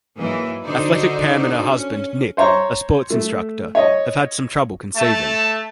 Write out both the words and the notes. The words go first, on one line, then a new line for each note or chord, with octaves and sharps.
Athletic Pam and her husband, Nick, a sports instructor, have had some trouble conceiving.
G#2 E3 F#3 A#3
D3 D#4 F#4 C5 D5
C#4
C5 C#5 A#5 C#6
A3
C#5 D#5
A3 A5